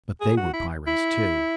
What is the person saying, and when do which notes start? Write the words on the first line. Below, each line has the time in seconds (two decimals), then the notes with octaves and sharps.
But they were Pyrrans, too.
0.21 G#4
0.37 F#4
0.54 E4
0.87 E4